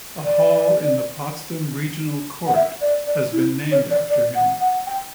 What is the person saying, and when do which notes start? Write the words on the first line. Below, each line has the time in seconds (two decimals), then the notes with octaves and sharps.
A hall in the Potsdam Regional Court has been named after him.
0.25 D5
2.47 F#5
2.55 E5
2.81 D5
3.07 D5
3.33 E4
3.72 C#5
3.91 D5
4.10 D5
4.35 F#5
4.61 F#5
4.87 G5